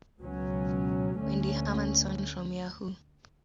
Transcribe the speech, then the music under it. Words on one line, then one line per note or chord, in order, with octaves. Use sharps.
Wendy Hermanson from Yahoo!
C#2 B2 F#3 C#4
D2 D3 A3 C#4